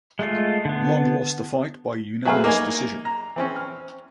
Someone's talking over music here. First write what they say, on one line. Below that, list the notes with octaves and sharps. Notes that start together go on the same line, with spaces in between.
Long lost the fight by unanimous decision.
G#3 A3 F4
D3 B3
F#3 A3 G#4 B4 F5
A#3 D#4 G#5
A#5
E3 C4 C#4
F6